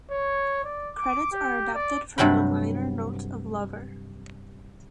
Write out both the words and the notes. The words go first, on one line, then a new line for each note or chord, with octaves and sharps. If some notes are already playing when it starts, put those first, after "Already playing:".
Credits are adapted from the liner notes of "Lover".
C#5
D5
D6
G4
D5
G2 C3 F#3 G5 B5